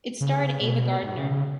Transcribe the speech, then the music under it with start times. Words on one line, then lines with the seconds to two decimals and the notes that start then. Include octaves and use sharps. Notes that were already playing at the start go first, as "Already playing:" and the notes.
It starred Ava Gardner.
0.21 C#3
0.61 B2
1.03 G#2
1.17 C#3
1.31 C#3